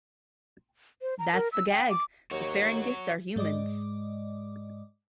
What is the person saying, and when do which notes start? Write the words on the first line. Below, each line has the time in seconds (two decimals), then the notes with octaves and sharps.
That's the gag, the Ferengis are Humans.
1.02 C5
1.19 A#5
1.33 A#4
1.52 E6
1.70 G5
1.90 D6
2.31 D#2 F#4 C#5
3.36 G#2 G#3 D5 D#5 D6